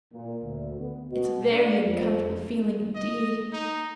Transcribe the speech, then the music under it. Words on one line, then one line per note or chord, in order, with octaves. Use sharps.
It's very uncomfortable feeling indeed.
A#2
D2
B3
B2
D4
F2
D#5
D#4